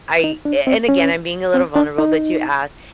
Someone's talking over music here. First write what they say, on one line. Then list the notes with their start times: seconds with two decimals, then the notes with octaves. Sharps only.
I a and, again, I'm being a little vulnerable, but you asked.
0.24 D#4
0.45 D4
0.67 C4
0.89 C#4
1.54 C4
1.76 D4
1.98 D#4